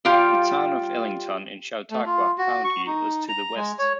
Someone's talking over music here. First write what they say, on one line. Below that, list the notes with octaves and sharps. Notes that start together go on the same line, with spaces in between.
The town of Ellington in Chautauqua County is to the west.
G3 F4 G4 F5
A3
F4
F#4
C#6
D#4
A#5
G#3
C#5